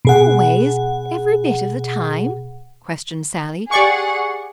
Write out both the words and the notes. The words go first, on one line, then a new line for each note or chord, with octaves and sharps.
"Always, every bit of the time?" questioned Sallie.
B2 G#4 F#5
G4 G#4 D5 F#5 C#6